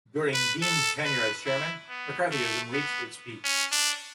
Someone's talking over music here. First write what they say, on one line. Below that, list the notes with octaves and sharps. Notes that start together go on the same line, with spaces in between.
During Dean's tenure as Chairman, McCarthyism reached its peak.
B4
A4
B4
E4
B3
A3
B3
C#4
D4